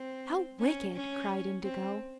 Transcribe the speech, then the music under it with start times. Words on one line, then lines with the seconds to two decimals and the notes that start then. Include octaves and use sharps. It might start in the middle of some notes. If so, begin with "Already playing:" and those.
"How wicked!" cried Indigo.
Already playing: C4
0.59 C#4
0.94 C#4
1.63 C4